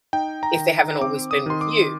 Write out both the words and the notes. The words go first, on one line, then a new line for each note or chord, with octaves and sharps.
if they haven't always been with you.
D#4 G5
A#5
D#3
C4 D6
D#6
D#3 C6
D6